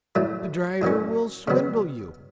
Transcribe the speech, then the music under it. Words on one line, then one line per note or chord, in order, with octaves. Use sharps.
"The driver will swindle you."
A2 F#3 A3
A2 F#3 A#3 C#4
C#3 F#3 B3